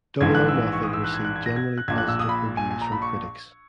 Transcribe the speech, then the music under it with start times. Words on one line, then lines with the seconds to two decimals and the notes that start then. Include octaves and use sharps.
Double or Nothing received generally positive reviews from critics.
0.21 A#1 G#2 E3 G#6
0.35 F#6
0.48 E6
0.62 E6
0.73 C#6
0.83 D#6
0.93 E6
1.04 F#6
1.14 G#6
1.25 F#6
1.36 G#6
1.46 A#6
1.56 G#6
1.78 F#6
1.88 A#1 A#2 G#6
1.98 F#6
2.08 E6
2.19 D#6
2.29 B5
2.57 G#5
2.71 G#5
2.81 A#5
2.92 B5
3.02 C#6